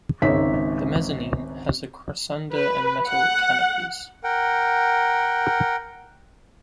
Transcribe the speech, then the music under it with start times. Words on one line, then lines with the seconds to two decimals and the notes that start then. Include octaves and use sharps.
The mezzanine has a crossunder and metal canopies.
0.22 G#1 C#2 D#4 C#5 E5 B6
2.54 B4
3.07 F#5
4.24 A#4 F#5 G5